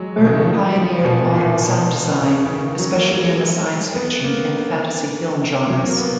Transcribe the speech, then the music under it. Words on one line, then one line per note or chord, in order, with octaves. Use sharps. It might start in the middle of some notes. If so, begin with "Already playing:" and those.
Burtt pioneered modern sound design, especially in the science-fiction and fantasy-film genres.
Already playing: F#3 G#3
B2
C#3
D#3
F3
F#3
F3
A#2
B2
A#2
B2
C#3
C#3
D#3
F#3
A#3
F#3
G#3
B3
A#3
F#3
A#3
B3